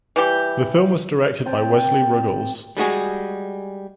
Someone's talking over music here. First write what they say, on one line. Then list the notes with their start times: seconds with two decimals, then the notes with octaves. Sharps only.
The film was directed by Wesley Ruggles.
0.16 E3 G3 G4
1.46 C4 G5 A5
2.77 G3 G#3 F#4 G#4